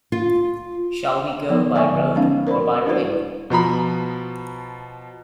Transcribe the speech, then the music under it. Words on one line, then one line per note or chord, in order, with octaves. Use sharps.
Shall we go by road or by rail?
F4
F3 B3 D#4
D3 F3 D5 E5 G#5 C#6
F3 G#3 B3 C#4 D#4 F5
A#4 C5 D5 B5
D4 E4 F#4 B4 C5 D5
B2 F3 A#5 B5